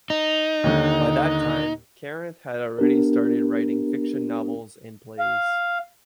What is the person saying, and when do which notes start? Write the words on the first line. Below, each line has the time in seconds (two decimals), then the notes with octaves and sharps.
By that time Karanth had already started writing fiction novels and plays.
0.10 D#4
0.64 D#2 D3
2.79 B3 D4 G4 A#4
5.19 F5